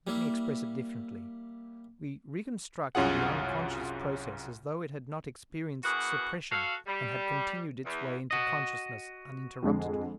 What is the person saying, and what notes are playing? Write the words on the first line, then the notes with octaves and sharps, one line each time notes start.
Let me express it differently: we reconstruct the unconscious process as though it had not experienced suppression and had continued its way into consciousness uninterruptedly.
G3 A#3 E4
C2 F#2 C#4 F4 G#4 F#5
B2 E3 F#4 G#4 A#4 F#5
F#4 A4 F5
G3
E2
F#4 D#5
F2 D3 G#3